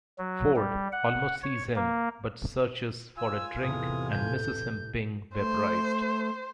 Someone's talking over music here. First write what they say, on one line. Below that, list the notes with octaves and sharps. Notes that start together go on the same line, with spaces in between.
Ford almost sees him, but searches for a drink and misses him being vaporized.
F#3
G3
F#5
C#5
A#3
F4 G#5 E6
E2 A2 C3 D#6
C2 A2 B4 G6
A3 C5